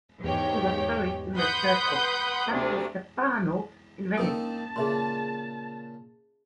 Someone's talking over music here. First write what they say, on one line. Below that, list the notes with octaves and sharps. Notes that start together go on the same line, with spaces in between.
He was buried in the church of Santo Stefano in Venice.
E2 G#2 G4 C#5 G5
B4 F#5 B5 C6 D#6 G6
D2 C3 D4
A#3 C4 C#4 D#4 A#4 A5 D#6
A#2 C#3 G#4 E5 C6